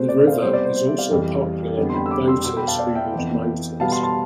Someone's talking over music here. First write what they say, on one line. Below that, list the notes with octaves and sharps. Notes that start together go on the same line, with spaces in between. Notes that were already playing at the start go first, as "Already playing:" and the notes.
The river is also popular with boaters who use motors.
Already playing: B2 A3 C4 C5
D5
D5
F5
C5 E5
C3 G3 B3 C5
D5
C5
C5
C5 E5
D5 F5
F2 E3 G3
F2 D3 G3 B3
C6
G5 B5
E6
B5 D6
C6 E6
B2 B3 C6 E6
G5 B5
F5 A5
D5 F5
E5 G5
F2 E3 B3
B2 G3 B3 F5 A5
A5 C6
A5 C6